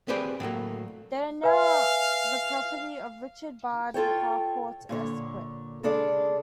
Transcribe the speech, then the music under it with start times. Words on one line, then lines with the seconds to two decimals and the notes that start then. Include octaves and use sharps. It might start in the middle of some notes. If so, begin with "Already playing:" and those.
They are now the property of Richard Bard Harcourt esq.
0.08 C4 G4 G#4 B4 C5 D5
0.40 A2 F#3 A3 A#3
1.44 B4 E5 F5 G#5
3.94 F4 A4 C#5 G5
4.89 A#2 D3 C#5
5.83 C#3 G#3 D4 A4 D5